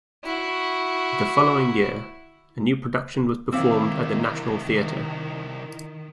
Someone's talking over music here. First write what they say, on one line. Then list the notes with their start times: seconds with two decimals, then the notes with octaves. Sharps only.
The following year, a new production was performed at the National Theatre.
0.25 E4 F#4
3.53 C3 D#3 C4 E4 F5 D6 E6